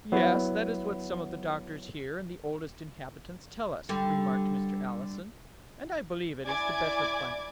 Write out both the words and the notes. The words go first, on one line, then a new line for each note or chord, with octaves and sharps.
"Yes, that is what some of the doctors here, and the oldest inhabitants, tell us," remarked Mr. Allison, "and I believe it is the better plan."
F#3 B3 E4
D3 G3
E4 D5 G#5 D6 G#6